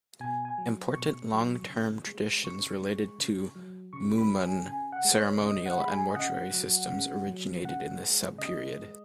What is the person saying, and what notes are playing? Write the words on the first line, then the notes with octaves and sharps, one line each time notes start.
Important long-term traditions related to Mumun ceremonial and mortuary systems originated in this sub-period.
B2 G#5
G#5
F#3
B2 C#6
F#3
C#3
G#3
C#3 C#6
G#3
C#3
F#3
C#3 C#6
B5
F#3
G#5
C#3 G#5
F#5
G#3
C#5
C#3 D#5
F#5
G#3 B5
G#5
D#5
C#3 F#5
F#3
C#3
F#3
C#3 F#5
G#3
C#3 D#5
G#3